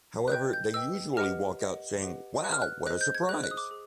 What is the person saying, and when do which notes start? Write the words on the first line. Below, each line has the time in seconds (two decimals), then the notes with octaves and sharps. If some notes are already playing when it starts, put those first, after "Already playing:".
However, they usually walk out saying, 'Wow, what a surprise!
0.28 F#6
0.32 B4 D#5 G5 G6
0.53 G6
0.74 B4 D#5 G5 E6
1.17 G4 B4 D#5 F#5 F6
1.59 G4 B4 D#5 F#5
2.02 G4 B4 D#5 F#5
2.44 G4 B4 D#5 F#5 F#6
2.52 F6
2.62 F#6
2.86 G#4 C5 D#5 F#6
3.01 G6
3.15 G#6
3.29 G#4 C5 D#5 F#6
3.43 F#6
3.51 D#6
3.57 D6
3.71 G#4